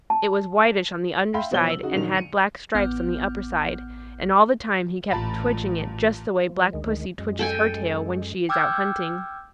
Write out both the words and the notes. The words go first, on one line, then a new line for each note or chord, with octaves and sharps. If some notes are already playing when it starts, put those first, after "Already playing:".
It was whitish on the under side and had black stripes on the upper side, and all the time he kept twitching it just the way Black Pussy twitches her tail when she is out hunting.
A5
E5 F5 G5 B5 C6
B2 F3 C5 C#5 G7
E6 F#7
C#3 D#4 F#4
A#1 D#3 F#3 F7
C#7 D#7
A1 B3 F#5 D6 F6 G6
A1 A#2 A5 B5
F3
D2 D#3 G#3
F#2 G#3
A4 G5 G#5
G5 D6 E6 F6 G6 G#6